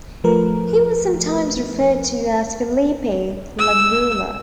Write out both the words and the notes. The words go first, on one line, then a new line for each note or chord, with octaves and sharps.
He was sometimes referred to as Philippe Lagrula.
F3 A3 A#4 B4
E6